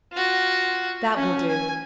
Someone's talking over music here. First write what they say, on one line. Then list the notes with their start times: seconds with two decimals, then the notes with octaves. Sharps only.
That will do.
0.13 F4 F#4
1.16 C#4
1.48 G#5